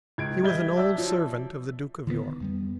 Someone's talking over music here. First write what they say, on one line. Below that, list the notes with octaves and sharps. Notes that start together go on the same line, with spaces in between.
He was an old servant of the Duke of York.
C#2 G#6 D7
G3 D#5 E5 G6 G#6 G7
D5 E5 A5 E6
F3 F#3
D3 D#3 G3 B3
F2 G3 B3